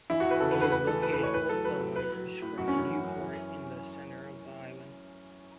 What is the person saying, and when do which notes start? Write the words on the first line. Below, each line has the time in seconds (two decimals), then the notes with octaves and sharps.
It is located four kilometres from Newport in the centre of the island.
0.10 E3 E4
0.20 F#4
0.26 E2 B4
0.41 C#3 A4
0.51 B4
0.56 E2
0.61 B4
0.71 A2 B4
0.87 E3 A4
1.02 E3 B4
1.13 B4
1.18 A2
1.23 C#5
1.34 A2 B4
1.49 F#3 A4
1.65 F#3 B4
1.80 A2
1.96 A2 B4
2.11 F#3
2.27 F#3
2.42 A2
2.58 F#2 F#4
2.68 C#4
2.73 E3
2.78 C#4
2.89 E3
3.04 F#2
3.20 E3